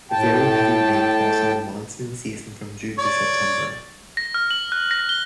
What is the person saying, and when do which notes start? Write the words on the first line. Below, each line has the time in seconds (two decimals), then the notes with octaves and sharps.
Very heavy rain falls in the monsoon season from June to September.
0.12 A2 G5 A5
2.98 C#5 D5
4.17 A#6
4.34 F6
4.51 F#7
4.72 F#6
4.91 A#6
5.09 G7